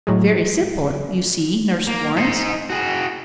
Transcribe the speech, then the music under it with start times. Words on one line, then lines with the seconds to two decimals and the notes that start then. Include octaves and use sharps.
Very simple, you see, Nurse Florence!
0.07 A2 F#3 G#3
1.88 A#3
2.17 D#4 C5
2.70 F#4 G#4